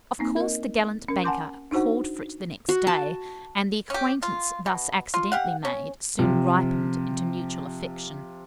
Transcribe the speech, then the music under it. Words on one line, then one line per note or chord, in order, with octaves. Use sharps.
Of course, the gallant banker called for it the next day, and the acquaintance thus accidentally made, soon ripened into mutual affection.
A#3 C4 D#4
A#4 D#5
C#4 A#4
F#5 G#5 A5 C6 D6 G6
D4 D#4 F#4 C5 F#5
F#4
A5
C#4 G4
F4
B2
F4
G4 F5 F#5
C#4
C3 F3